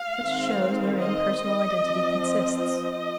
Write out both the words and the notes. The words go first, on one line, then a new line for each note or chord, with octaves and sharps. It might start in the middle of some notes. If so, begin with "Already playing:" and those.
Which shows wherein Personal identity consists.
Already playing: F5
D#3 G#3 C4
D#5
F3 C4
D#5